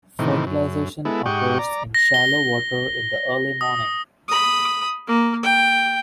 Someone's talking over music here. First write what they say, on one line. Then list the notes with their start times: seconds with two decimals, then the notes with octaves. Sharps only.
Fertilization occurs in shallow water in the early morning.
0.19 A2 C3 D#3 E3
0.47 F#2
1.05 G#3 B3 E4 A4
1.26 G#2 G4 F#5 G5 C#6 D#6
1.59 D5 A#5
1.94 A#6
2.14 G7
3.61 D#6
4.28 B5 D#6
5.08 A#3
5.43 G5